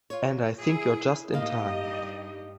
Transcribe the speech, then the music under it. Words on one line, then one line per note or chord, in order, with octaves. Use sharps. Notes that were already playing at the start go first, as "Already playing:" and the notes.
And I think you're just in time.
F4 C#5
E4 G#4
A2 A#3 D#4 G4 D#5 F5
G2